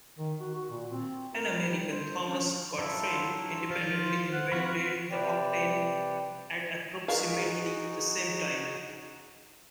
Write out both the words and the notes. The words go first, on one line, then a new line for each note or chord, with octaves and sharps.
An American, Thomas Godfrey, independently invented the octant at approximately the same time.
D#3
F#4
F#4
A#2
C4
A#4
G3
C5
C#4
F#3 E4 F4 A4
F3 F4 C5
F#5
C4 F#4 F5 B5
C3 B4 D5 G5
D#4 E4 F#4 G#4 A#4 B4 F5